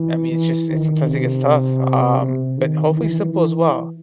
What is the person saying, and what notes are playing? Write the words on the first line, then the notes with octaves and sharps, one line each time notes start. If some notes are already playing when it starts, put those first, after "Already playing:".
I mean, it's just it's sometimes it gets tough, um, but hopefully simple as well.
Already playing: E3
E3
D#3
C3
C3
D#3
E3
E3